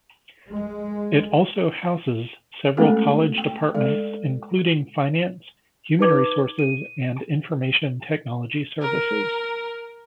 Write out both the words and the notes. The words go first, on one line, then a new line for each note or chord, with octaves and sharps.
It also houses several college departments including finance, human resources and information technology services.
G#3
G#3 A3 B3 C#4 F#4 A4
G5
G#3 A4 D5
D#4 B4 D6 G#6
D#7
A#4